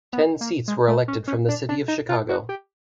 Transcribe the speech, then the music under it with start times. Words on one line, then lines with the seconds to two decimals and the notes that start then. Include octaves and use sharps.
Ten seats were elected from the City of Chicago.
0.13 B3
0.41 A#3
0.68 G#3
0.88 A3
1.08 C#4
1.28 C#4
1.49 D4
1.69 D4
1.88 D#4
2.09 F4
2.29 F#4
2.49 G4